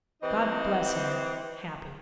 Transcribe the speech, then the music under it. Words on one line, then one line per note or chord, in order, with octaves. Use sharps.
God bless him!--happy.
E3 C4 D#4 G4 C5 D#5